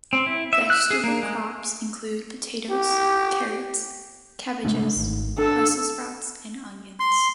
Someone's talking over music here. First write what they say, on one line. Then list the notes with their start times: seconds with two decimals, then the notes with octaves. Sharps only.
Vegetable crops include potatoes, carrots, cabbages, brussels sprouts and onions.
0.13 C4
0.26 E4
0.53 E5
0.70 F#6
0.91 G#4
1.04 A#3
1.23 G#3
2.70 G4
4.65 G#3 A3 D4
4.96 G#1
5.38 D4 A4 E6
7.00 C6